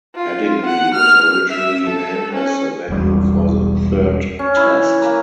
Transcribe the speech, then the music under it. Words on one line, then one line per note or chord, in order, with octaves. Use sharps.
Headingley was originally named as the venue for the third Test.
F4
F#5
F6
E5
A4
C#4
E1 B1 E2 G3
C#4
E4
E3
A#3